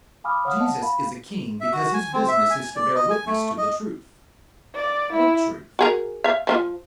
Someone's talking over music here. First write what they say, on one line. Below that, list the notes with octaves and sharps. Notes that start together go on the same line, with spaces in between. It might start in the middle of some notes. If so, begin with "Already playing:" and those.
Jesus is a king because his business is to bear witness to the truth. What truth?
F5 G#5 B5 D6 D#6 F6
C#5 F5 F#5 D#6 F6
D#5 F#5 A5
F5 B5
E5
F#4
G#5
C4
E5
G#5
D5
D#5
G#5
A3
D#5
D5
E4
F#4 G#4 A#4
E5 F5
F3 C#4 F4